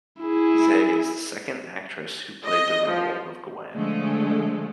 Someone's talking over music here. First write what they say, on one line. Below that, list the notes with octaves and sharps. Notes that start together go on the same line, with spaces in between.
Zea is the second actress who played the role of Gwen.
E4 G#4
D#5
F3
D3 F3 G#3 A3